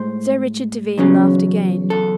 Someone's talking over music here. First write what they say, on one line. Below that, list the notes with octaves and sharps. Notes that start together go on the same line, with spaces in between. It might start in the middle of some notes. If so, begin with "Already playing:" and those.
Sir Richard Devine laughed again.
Already playing: A2 G#3 C5
E2 C#3 F#3 C#4
A4